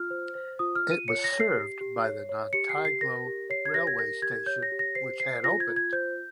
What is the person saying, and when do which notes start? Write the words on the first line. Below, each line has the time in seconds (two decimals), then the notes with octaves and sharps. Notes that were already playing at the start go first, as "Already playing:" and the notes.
It was served by the Nantyglo railway station which had opened.
Already playing: F4 F6
0.10 C5
0.35 C5
0.59 F4 D#6
0.75 F6
0.83 F4
0.91 D#7
1.08 C#5 C#7
1.24 A#6
1.32 C#5
1.40 C7
1.56 G4
1.81 G4
2.05 C#5
2.29 C#5
2.53 G4 C#7
2.69 C7
2.77 G4
2.85 C7
3.01 A#4 A#6
3.26 G4
3.50 C#5 C7
3.66 G#6
3.74 G4 A#6
3.87 G#6
3.98 A#4 A#6
4.22 G4 G#6
4.46 C#5 G6
4.63 A#6
4.72 G4
4.79 A#6
4.95 C5 C7
5.19 C5 C7
5.44 F4 A#6
5.60 G#6
5.68 F4
5.76 G#6
5.93 C5 G6